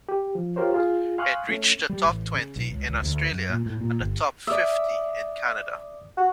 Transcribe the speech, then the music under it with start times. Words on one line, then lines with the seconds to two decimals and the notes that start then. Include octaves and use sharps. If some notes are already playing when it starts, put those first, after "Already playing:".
It reached the top twenty in Australia and the top fifty in Canada.
0.09 G4
0.35 F3
0.56 F4 G4 A#4 C5 C#5
0.74 F4 G#4
1.18 F5 G#5 C6 C#6 D#6 F#6
1.49 A3 C#4
1.89 G3
2.04 A1
2.35 C#3
2.56 B1
2.72 C#2
2.89 C#2
3.02 D2
3.31 F#2
3.50 A#2
3.66 A2
3.81 A#2
4.00 G1
4.47 D5 E5 D6 D#6
6.17 F#4